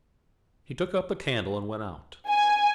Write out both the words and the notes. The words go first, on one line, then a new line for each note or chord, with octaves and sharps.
He took up the candle and went out.
G#5